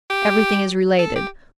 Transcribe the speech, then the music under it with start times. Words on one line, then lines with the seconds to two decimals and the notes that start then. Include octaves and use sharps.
Everything is related.
0.10 G4
0.99 A4
1.16 G4